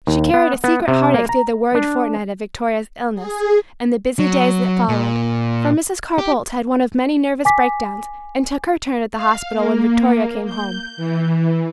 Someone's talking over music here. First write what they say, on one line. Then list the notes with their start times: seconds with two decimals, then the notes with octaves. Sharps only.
She carried a secret heartache through the worried fortnight of Victoria's illness, and the busy days that followed; for Mrs. Carr-Boldt had one of many nervous break-downs, and took her turn at the hospital when Victoria came home.
0.07 D#2
0.34 B3
0.64 B3
0.88 C3
1.14 A#3
1.29 A#5
1.75 D4
3.14 G#4
4.19 F#3
4.89 A#2
6.18 G4
7.45 G#5 D6 B6
9.15 F5
9.53 A#3
10.46 G6
10.97 E3